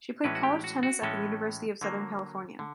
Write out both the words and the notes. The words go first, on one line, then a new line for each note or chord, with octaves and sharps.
She played college tennis at the University of Southern California.
A2 E3 G#3 C#4 B4
F#4
G4
F#4
F#4
A2 E3 G#3 C#4 A4
D3 F#3 A#3
D3